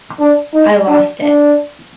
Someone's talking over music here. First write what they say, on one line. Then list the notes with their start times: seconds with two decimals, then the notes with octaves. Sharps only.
I lost it.
0.20 D4
0.54 D#4
0.88 D4
1.22 D4